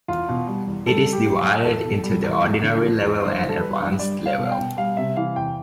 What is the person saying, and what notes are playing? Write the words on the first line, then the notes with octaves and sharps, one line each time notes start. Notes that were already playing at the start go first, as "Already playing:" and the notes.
It is divided into the Ordinary level and Advanced level.
E2 F4
B2
G3
E2
G3 A4
G3
G4
A2
A2
E2 A4
B2
G3
E2
E2
D3
F3
E2
G2 C5
E3
A4
G3 B4
G2
G3 D5
G3
F5
B2
F5
G5
B2
G3 F5
C3 E5
E3 F5
E2 G5